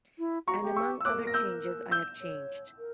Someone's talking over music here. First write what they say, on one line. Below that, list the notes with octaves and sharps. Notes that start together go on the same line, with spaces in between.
And, among other changes, I have changed.
E4
F#4 A#5 C#6
G4
C#6 E6
E6
C#5 D6 F#6
A#4
A#6
E6 G6
E6 G6
C#5
A#4